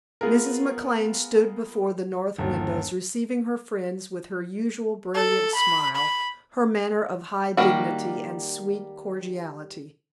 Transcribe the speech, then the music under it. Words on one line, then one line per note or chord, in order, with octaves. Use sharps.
Mrs. McLane stood before the north windows receiving her friends with her usual brilliant smile, her manner of high dignity and sweet cordiality.
B3 F4 G#4 A#4
G1 D#2
A4
B5
B5
D#3 G3 A#3 F#4